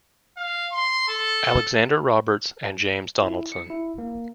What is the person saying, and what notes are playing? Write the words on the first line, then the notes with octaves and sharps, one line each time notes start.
Alexander Roberts and James Donaldson.
F5
C6
A4
E4
C#7
E4
A#3